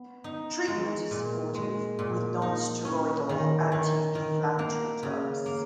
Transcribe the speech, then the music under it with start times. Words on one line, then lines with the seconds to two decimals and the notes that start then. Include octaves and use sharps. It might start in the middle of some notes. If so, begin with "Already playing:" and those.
Treatment is supportive, with non-steroidal anti-inflammatory drugs.
Already playing: B3
0.24 D#4
0.68 G#3
1.11 A#2
1.55 G#3
1.99 A#2
2.42 D#4
2.85 C#4
3.29 D#3
3.72 D#3
4.15 D#3
4.59 A#3
5.03 C#3
5.46 A#3